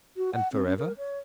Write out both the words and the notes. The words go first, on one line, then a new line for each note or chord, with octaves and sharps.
And forever?
F#4
F#5
C4
C#4
A#4
C#5